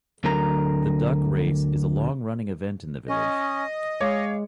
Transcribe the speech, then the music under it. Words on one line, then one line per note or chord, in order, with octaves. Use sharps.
The Duck Race is a long-running event in the village.
D2 D3 F#3 A#4 A#5
C#4 D#5
G#3 C#5 F5 D6